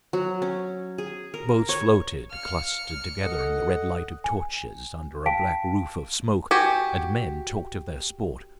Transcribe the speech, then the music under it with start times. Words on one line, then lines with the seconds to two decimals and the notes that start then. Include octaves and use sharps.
The boats floated, clustered together, in the red light of torches, under a black roof of smoke; and men talked of their sport.
0.13 F#3
0.42 C#4
0.98 G#4
1.34 A#4
1.69 C#5
2.31 F5 F6 C#7
3.23 A4 D#5 F#5
4.24 G#5
5.26 F5 G5 A5 B6 D7
6.51 F#4 G4 G#5